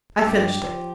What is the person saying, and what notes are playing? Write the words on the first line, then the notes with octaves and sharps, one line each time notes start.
I finished it.
A4
G2 G4
F3